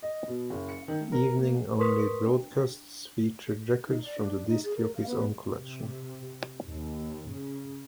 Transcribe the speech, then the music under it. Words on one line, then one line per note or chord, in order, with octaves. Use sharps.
Evening-only broadcasts featured records from the disc jockey's own collection.
D#5
B2
F#1
C#7
D#3
A3
A#4
A#3
A#4 B4 C6 C#6 D#6 B6
D4
D#4
D5
D4
D#4
G#4
A#4
F5
B3
C3
D#2
C#3